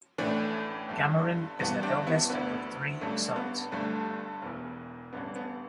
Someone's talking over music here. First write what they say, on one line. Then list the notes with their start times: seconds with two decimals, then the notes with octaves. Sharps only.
Cameron is the eldest of three sons.
0.18 A1 A2 E3 A3 D4
0.89 G1 G2 D3
1.59 G1 G2 E3 B3
1.83 D4 G4
2.07 B3 E4
2.30 D2 D3 B3
3.01 A1 G2 D3 A3
3.36 B3
3.71 G1 G2 D3 A3 D4
4.42 E1 E2 E3
5.13 A1 G2 D3 B3
5.35 B3